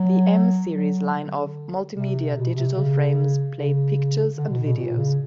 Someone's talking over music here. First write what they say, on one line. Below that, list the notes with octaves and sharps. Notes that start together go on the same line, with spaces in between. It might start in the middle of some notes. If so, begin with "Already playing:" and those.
The M-series line of "multimedia" digital frames play pictures and videos.
Already playing: F#3
F#3
D3
C3
B2
C3
C#3
C#3
D3
B2
B2
A#2
C#3